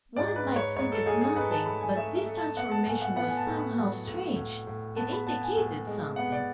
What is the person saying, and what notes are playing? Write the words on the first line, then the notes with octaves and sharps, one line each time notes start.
One might think it nothing, but this transformation was somehow strange; it indicated something.
G#2 D5
B4
G#2
C#5
G#2 C#5
A4
G#2 G#4
G#4
G#2 B4
A5
A3 B5
G#5
A3 E5
E5
A3
A5
B3 F#5
A5
A2 G#5
F#5
B3 F#5
G#5
A5
A2
B5
F#3
A2
A2
A2
B3 A5
B5
B3 A5
G#5
A2
G#3
B3 F#5
D5